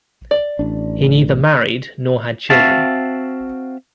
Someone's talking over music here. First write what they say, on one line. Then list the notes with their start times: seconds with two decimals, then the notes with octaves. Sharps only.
He neither married nor had children.
0.31 D5
0.59 A1 D4
2.50 C4 F#4 E5 F5 A5